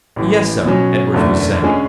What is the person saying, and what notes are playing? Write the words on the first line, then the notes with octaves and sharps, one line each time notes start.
"Yes, sir," Edwards was saying.
A1 A2 E3
B2 F#3 C#4
F#1 E2 D3 A3
D3 G#3 C#4 G#4